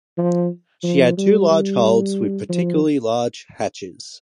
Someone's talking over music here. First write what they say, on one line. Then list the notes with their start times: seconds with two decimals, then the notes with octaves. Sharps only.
She had two large holds with particularly large hatches.
0.18 F3
0.83 F3
1.17 G3
1.50 G3
2.49 F3